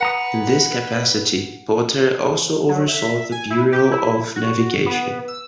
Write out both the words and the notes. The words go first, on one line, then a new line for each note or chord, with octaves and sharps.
In this capacity, Potter also oversaw the Bureau of Navigation.
B4 F#5 A#5 D#6
F#3
E5
G#5
E4
G4
E4
F#4
B3
E6